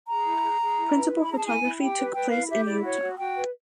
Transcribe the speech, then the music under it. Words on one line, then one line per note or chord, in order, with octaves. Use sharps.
Principal photography took place in Utah.
G#4 A#5
E4
G#4
G#4
E4
B4
E4
B5
G#4 A#5
A5
E4 G#5
E4
G4 G5
B4
B4 G5
E4 F5
G4 E5
E4 D5
F#4 C#5
F#4
F#4 G5
B4